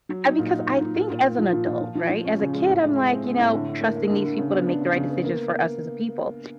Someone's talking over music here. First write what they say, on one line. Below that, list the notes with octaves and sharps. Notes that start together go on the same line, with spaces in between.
uh, because I think as an adult, right, as a kid, I'm, like, you know, trusting these people to make the right decisions for us as a people.
F#3
D#4
A#2
D#4
D#4
A#2
A#2
A#2
A#3
F3
A#2
A#2
F3
F3
F3
C#4
C#3
G#3
A2
G#3
G#3
C4
C4
A2
D3
D3
A#3
A#3
D3
D3
C#3
B3
D4
C#3
C#3
B3
A#3